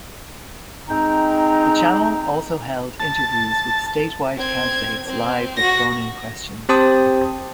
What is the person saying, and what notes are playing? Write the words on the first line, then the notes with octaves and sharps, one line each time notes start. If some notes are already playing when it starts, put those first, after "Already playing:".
The channel also held interviews with statewide candidates live with phone-in questions.
G#3 C4 D#4 G5 A#5
A5
C4 G#6
C4
F#4 A#6
C4 G4 C5 A5 D#6